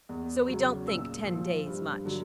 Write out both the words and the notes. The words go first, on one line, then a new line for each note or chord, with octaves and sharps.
"So we don't think ten days much."
E2
C#3 F#3
A#2 E6
F3
G2
D3 F#3